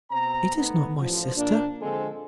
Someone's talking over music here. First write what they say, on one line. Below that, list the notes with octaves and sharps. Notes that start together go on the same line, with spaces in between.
"It is not my sister."
B2 C4 A#5
A3 B3 D#4
A1 G2 F3
A#2 A#3 D4
D3 F3 G#3 C4 A4